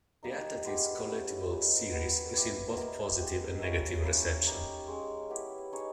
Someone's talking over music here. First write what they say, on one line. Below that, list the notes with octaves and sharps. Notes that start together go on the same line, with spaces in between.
The Attacktix collectible series received both positive and negative reception.
G3 A#3 D#4
G#3 B3 G4
G3 C#4 E4
D#4 G#4 B4
B3 G4 B4 D#5
E4 G4 B4
B3 E4 A#4 D#5
G#3 D#4 G4
A#3 C#4 E4
A#3 C#4 E4
D#4 G4 A#4
G#3 C#4 G#4
B3 E4 G4
D#4 G#4 C#5